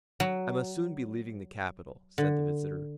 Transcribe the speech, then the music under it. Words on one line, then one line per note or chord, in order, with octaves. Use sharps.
"I must soon be leaving the capital," said the visitor.
F#3
D3